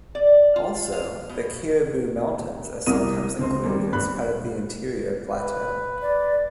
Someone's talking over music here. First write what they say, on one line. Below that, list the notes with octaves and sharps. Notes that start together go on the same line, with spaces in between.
Also, the Cariboo Mountains are sometimes included as part of the Interior Plateau.
D5
F4
F5
B2
C2 C3 E4 A#4 D#6 D#7
C#2 C4 C6
D#2 G3
G2 B5 F#6
B4
D5